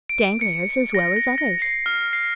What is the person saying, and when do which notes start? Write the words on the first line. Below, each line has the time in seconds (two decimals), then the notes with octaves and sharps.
"Danglars, as well as others."
0.09 D7
0.41 C#7
0.94 A#6
1.16 A#6
1.38 A#6
1.62 C7
1.86 F6
2.13 C7